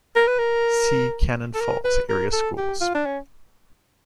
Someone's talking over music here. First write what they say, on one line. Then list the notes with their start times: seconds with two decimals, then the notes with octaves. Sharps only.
See Cannon Falls Area Schools.
0.16 A#4
0.27 B4
0.38 A#4
1.55 A4
1.61 A#4
1.84 B4
2.09 A#4
2.33 A4
2.58 G4
2.81 F4
2.95 D4
3.06 C#4